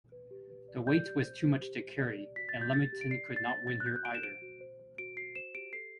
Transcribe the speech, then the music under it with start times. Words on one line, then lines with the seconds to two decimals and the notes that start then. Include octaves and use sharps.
The weight was too much to carry, and Leamington could not win here either.
0.12 B4
0.31 G4
0.50 B4
0.68 D5
0.87 D5 G6
1.05 G4
1.25 C5
1.43 C5
1.62 G4
1.80 G4
2.00 D5
2.18 D5
2.36 F#4 B6
2.49 A6
2.55 F#4
2.61 G6
2.73 G4 A6
2.93 G4
3.01 D7
3.11 D5 C7
3.29 D5
3.36 A6
3.49 C5 A6
3.67 F#4 A6
3.80 F#6
3.86 F#4 G6
3.96 F#6
4.05 F#4 D7
4.15 E7
4.23 C5 D7
4.42 F#4
4.61 C5
4.80 C5
4.98 F#4 D7
5.17 F#4 C7
5.35 C5 E7
5.55 G4 D7
5.73 A4 C7